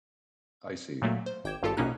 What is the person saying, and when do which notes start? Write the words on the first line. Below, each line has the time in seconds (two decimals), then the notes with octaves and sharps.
I see.
1.02 A#2 F#3 A3 A#3
1.26 C5
1.44 G#1 G5 D6 G#6 E7
1.63 G#1 G2 F4 G4 A4 A5
1.77 A#1 B2 A#3 C#4 D#4 F#6